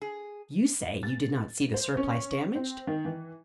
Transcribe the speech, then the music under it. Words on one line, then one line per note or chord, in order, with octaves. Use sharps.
"You say you did not see the surplice damaged?"
G#4
A6
C5
C#4
C4
D#3
E3